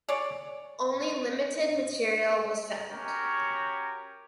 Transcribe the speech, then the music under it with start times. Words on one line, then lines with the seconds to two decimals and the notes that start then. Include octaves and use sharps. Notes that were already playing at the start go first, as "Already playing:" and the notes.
Only limited material was found.
0.09 G#4 C#5 D5
2.90 C#4 F#4 G4 A#4 C#5